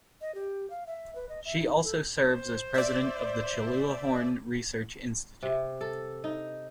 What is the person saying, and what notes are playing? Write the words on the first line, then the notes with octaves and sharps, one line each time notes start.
She also serves as president of the Chulabhorn Research Institute.
D#5
G4
F5
E5
B4
D#5
E5
D#4
A4
C5
D5 E5
C3
A4
D#4